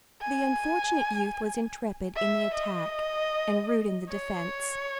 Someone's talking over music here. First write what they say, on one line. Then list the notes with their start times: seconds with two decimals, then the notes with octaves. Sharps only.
The unfortunate youth was intrepid in the attack, and rude in the defence.
0.22 G#5
2.16 E5
2.55 D#5
4.10 C#5